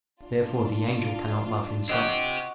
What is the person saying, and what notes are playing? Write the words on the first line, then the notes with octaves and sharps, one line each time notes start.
Therefore the angel cannot love himself.
D4 F4
C4 G4 D#5 F#5 C#6